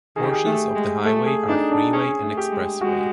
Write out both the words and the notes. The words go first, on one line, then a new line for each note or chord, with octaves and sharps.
Portions of the highway are freeway and expressway.
D#3 G#4
G4
G#4
A3
G#3
A3 A4
G#4
D4 D#4
D4
C#4 G#4
A3
G4
G#3
G#3 F#4